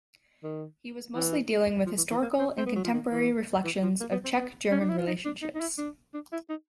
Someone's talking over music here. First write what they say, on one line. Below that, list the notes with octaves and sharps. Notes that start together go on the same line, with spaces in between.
He was mostly dealing with historical and contemporary reflections of the Czech-German relationships.
D#3
E3
F3
E3
E3
A#3
C4
C4
B3
F#3
F3
D#3
E3
E3
F3
A#3
B3
C4
B3
C#4
D4
E4
F4
D#4
D4
D#4
D#4
E4
D4
D4
E4
D#4